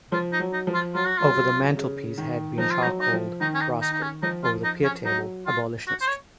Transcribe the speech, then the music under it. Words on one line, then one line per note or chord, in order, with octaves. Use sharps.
Over the mantel-piece had been charcoaled 'Rascal'; over the pier-table, 'Abolitionist.
F3 F4
D#4
F#3
D#4
F3
F4
F#3 F4
F#4
F#3 F4
C#3
D#3
F3 D#4
F4
D#4
F#3
D#4
F3
D#3 D#4
C#4
D#4
D#4
D#4
C#4
F3 D#4
F4
D#4
C#4
F#3 D#4
F4
F#4
C5
C#5